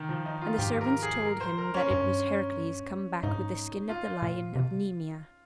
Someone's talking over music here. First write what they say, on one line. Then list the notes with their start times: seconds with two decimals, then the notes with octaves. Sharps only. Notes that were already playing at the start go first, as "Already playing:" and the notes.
And the servants told him that it was Heracles come back with the skin of the lion of Nemea.
Already playing: D#3
0.09 F3
0.26 D#4
0.41 F4
0.59 G#2 G4
0.81 A#4
1.03 G#4
1.25 A#4
1.41 C5
1.58 A#4
1.74 C#4
1.91 G2 C#4
3.23 G#2 D#4
3.89 F4
4.22 A#2
4.55 C3